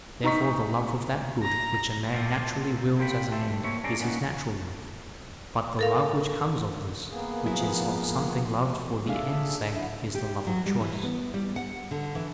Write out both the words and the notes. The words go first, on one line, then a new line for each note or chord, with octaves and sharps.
Therefore the love of that good, which a man naturally wills as an end, is his natural love; but the love which comes of this, which is of something loved for the end's sake, is the love of choice.
D#4 A#5 C#6 B6
A#5
A#2 C4 D4 F4
A#3 C5 G5 B5
A3 G4 A4 C5 E5
A#3 C5 C#5 E5
C#4 G#4 A4 D5 A#5 C6
A#3 B3 C#4 D#4 F#4
A4 A#4 F5
A#3 B3 G#4
F#3 E4
F3
G#3 D4 G#4 A4 E5 F5
F#2 D3 E4
G4
F#3
G3
E3
B3
G3
F#5
D3
E3